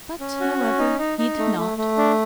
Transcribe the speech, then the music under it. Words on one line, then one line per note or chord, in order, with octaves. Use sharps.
But, however, he did not.
C#4
F#4
C#4
D#4
D#4
D#4
A3
A3
A3
D4